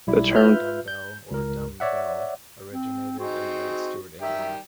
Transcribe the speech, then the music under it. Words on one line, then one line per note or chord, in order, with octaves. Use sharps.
The term "dumbbell" or "dumb bell" originated in late Stuart England.
B1 G3 E4
F4 B4 E5 F6 G6
G6
C#2 A#4
C#5 D5 E5 F#5
C4
C4 D#4 F#4 G#4
D#3 G3 G4 E5